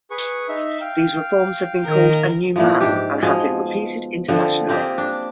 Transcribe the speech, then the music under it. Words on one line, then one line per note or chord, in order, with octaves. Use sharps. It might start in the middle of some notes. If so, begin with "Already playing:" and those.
These reforms have been called a new math and have been repeated internationally.
G#4 B4 C#6
D#4 E5
F5 G5
D#3 A#4
A#2 E3 F3
G#2 D4 G4
B2 F3 G#4
D3 F3 C4
A#3 C4 G4 G#4
D4